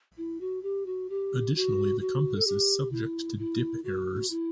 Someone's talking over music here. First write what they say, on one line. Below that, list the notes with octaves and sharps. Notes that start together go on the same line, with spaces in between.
Additionally, the compass is subject to Dip Errors.
E4
F#4
G4
F#4
G4
F#4
F#4
A4
G4
E4
E4
F#4
E4